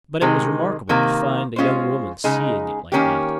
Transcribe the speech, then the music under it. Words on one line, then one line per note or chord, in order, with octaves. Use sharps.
But it was remarkable to find a young woman seeing it like that.
C3 D#3 G#3
C3 D#3 A#3
G#3 C#4 F4 C5
C#3 G#3 D#4 G#4
D#3 A#3 C#4 G4